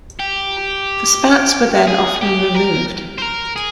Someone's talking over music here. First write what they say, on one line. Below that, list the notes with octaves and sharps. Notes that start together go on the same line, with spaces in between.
The spats were then often removed.
G4
G#4
G4
A#4
C5
A#4
G#4